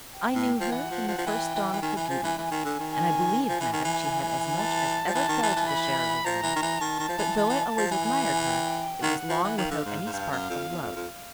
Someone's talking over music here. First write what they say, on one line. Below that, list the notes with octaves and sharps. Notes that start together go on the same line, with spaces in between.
I knew her in the first dawn of her beauty; and, I believe, madam, she had as much as ever fell to the share of a woman; but, though I always admired her, it was long without any spark of love.
G5
A2
F3
E3 F#5
F3
F3
F3
E3 G5
E3
E3
D#3 G#5
E3
F3
E3
E3 G#5
D#3
D3
D#3
G#5
F3 G#5
E3
D#3
E3
A5
F3
E3 A5
D#3
E3
E3
B5
F3 A#5
E3
D#3
E3
D#3 A5
D#3
F3
E3
E3
E3
F3
E3 G#5
G5
D#3 F#5
F3
E3
D#3 F5
D3
G#2
G#2
G2
F#2
F2
E2
F2
F2